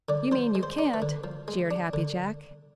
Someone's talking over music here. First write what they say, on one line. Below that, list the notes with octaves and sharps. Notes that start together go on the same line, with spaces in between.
"You mean you can't!" jeered Happy Jack.
D3 D5
F3 C5
G#3
C5
D4
B4
D3
F3
G#3
D4
D3